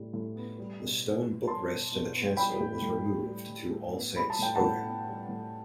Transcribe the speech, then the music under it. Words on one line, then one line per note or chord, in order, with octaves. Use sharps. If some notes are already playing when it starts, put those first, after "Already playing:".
The stone book-rest in the chancel was removed to All Saints', Oving.
Already playing: A2 G3
A2
B3
G3
B2
B2
B3
G3 A5 C6
B2
B2
B3
G3 G5 B5
A2
A2
B3
G3
A2
A2
B3
G3 B5
A5
A2 G5
F#5 A5
A2
B3
G3
A2